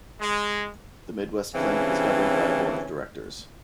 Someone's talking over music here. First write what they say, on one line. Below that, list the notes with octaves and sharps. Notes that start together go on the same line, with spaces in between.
The Midwest Clinic is governed by a Board of Directors.
G#3
G2 C#3 E3 C4 C#4